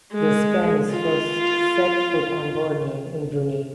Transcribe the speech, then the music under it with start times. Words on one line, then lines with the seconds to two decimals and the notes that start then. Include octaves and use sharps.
The Spanish first set foot on Borneo in Brunei.
0.13 G#3
0.93 F4